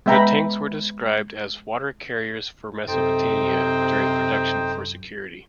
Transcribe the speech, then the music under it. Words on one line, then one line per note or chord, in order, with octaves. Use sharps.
The tanks were described as "Water carriers for Mesopotamia" during production for security.
G#3 B3 E5 G5 A#5 B5
F#2 C3 D#4 A4 C5 G5